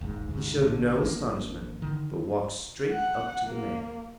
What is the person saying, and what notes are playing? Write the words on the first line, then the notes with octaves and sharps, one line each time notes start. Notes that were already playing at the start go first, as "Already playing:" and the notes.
He showed no astonishment, but walked straight up to the man.
D#1 G#1 G#2
D2 G#2
A1 A2 D3
G#1 F3 A#3 D4
D3 D#3
F#5
A#3